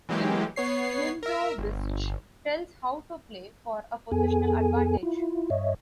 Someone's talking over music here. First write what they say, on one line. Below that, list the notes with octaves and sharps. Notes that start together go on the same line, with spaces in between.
In it, Nimzowitsch tells how to play for a positional advantage.
E3 F#3 G#3 A#3 G4
B3 C#5 C7
A#4 E5
G1
F2 B3 G#4 A4 G#5
E4 F4
G2 C#5 D#5 E5